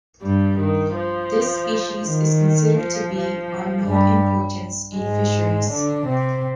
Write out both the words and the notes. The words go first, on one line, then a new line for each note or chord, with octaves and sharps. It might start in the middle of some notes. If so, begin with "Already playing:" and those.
This species is considered to be on no importance in fisheries.
G2 G3
D#3
F3
D#3
F3
F3
G2 G3
G#2 G#3
D3 D4
C3 C4